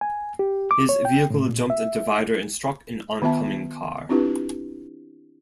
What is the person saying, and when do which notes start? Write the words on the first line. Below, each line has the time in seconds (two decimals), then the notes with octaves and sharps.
His vehicle jumped a divider and struck an oncoming car.
0.01 G#5
0.39 G4
0.71 D6
0.89 C#5
1.05 G5
1.30 A2
1.49 A#2
1.70 E5
3.22 D#3 B3 F4 E5 A5
4.09 C4 D4 E4 F4 G4 B4